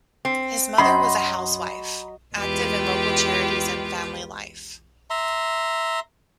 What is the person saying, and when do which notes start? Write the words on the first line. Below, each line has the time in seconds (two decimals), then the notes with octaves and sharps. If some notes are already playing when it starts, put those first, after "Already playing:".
His mother was a housewife, active in local charities and family life.
0.25 C4
0.78 F#2 F#3 D#5 B5 C6
2.34 E2 G#3 F4 G4 B4
5.10 E5 A#5 C6